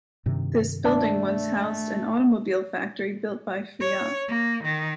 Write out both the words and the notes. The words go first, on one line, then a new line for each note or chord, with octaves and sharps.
This building once housed an automobile factory built by Fiat.
G2 C3 D#3
A3 D4
C#5
A#3
D#3